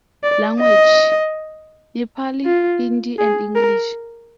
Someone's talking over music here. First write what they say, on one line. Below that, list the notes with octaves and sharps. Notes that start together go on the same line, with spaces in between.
Language: Nepali, Hindi and English.
D5
D#5
F4
G#4
A#4